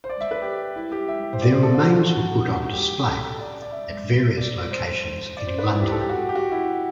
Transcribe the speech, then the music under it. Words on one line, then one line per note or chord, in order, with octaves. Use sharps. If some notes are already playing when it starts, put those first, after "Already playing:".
Their remains were put on display at various locations in London.
C5
D5
E5
B4
G4
E4
G4
E5
C5
D5
C5
A4
F#4
F#4
F#4
G4
A4
D5
D5
E5
D5
C5
D5
C5
B4
E4
G4
A4
G4
F#4
G4
G4
F#4
E4